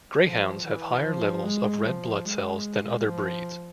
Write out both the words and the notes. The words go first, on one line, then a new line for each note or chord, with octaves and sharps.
Greyhounds have higher levels of red blood cells than other breeds.
F3
E3
F3
G#3
F3
G#3
F3